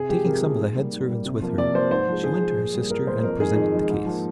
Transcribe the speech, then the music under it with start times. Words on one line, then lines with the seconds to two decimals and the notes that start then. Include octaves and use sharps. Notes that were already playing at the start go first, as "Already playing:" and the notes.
Taking some of the head servants with her, she went to her sister and presented the case.
Already playing: C3 G#4
0.09 F3 G#3 G4
0.25 C3 A#4
0.42 F3 G#3
0.59 G#2
0.76 G3 A#3
0.92 G#2
1.08 G3 A#3
1.25 C3
1.42 F3 A#3
1.58 C3 D5
1.74 F3 A#3 C5
1.90 G#2 C5
2.08 F3 G#3
2.24 G#2 G#4
2.41 F3 G#3
2.57 A#2
2.74 G3 A#3
2.90 A#2 A#4
3.06 G3 A#3 C5
3.23 F2 A#4
3.39 D#3 G#3 G#4
3.56 F2 D#4
3.72 D#3 G#3
3.90 G#2
4.05 F3 A#3